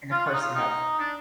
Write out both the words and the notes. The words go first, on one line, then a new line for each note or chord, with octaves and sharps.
and, of course, you have
F4
F#4
D#4
F4
D#4
D4